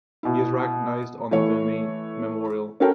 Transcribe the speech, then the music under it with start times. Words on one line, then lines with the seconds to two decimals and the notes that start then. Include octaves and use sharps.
He is recognized on the Vimy Memorial.
0.23 B2 E4
1.31 E3 A3 C#5
2.80 C#4 F#4 A4 A#4 G5 A5